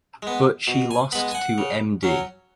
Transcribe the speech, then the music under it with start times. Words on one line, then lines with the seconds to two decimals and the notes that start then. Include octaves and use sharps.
But she lost to Md.
0.23 G#3 B3
0.67 B2
0.91 G#5
1.12 G#3 B3 B5
1.31 G#5
1.35 F#5
1.58 C#3
2.03 F#3 C#4